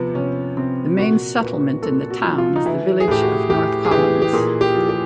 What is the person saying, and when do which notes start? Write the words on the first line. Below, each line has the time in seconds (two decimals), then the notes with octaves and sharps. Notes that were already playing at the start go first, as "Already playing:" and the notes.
The main settlement in the town is the village of North Collins.
Already playing: C3 F3 B3
0.15 C3 C#4
0.57 C3 C4
0.98 A#2 F#4
1.40 A#2 B4
1.82 A#2 A4
2.10 F#4
2.24 F3
2.38 F4
2.56 D#4
2.66 E3 E4
3.00 G#4
3.08 A2 G4
3.22 F#4
3.50 A2 G4
3.85 G#4
3.91 E3 G4
4.22 G4
4.33 A#2 G#4
4.61 G4
4.75 F3
4.89 G4